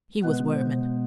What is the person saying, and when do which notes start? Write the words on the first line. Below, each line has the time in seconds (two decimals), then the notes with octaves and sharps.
He was wermin!
0.24 B2 G#3 B3 B4
0.53 C5